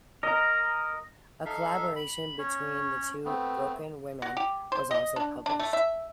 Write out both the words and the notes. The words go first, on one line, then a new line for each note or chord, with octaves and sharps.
A collaboration between the two, "Broken Women", was also published.
A#4 D#5 A#5
D#4 A4 E5 F5
B5
C#4 C#5
A3 B3 C4
F#4
G4
C5
D#5
D4
D4
A3
E5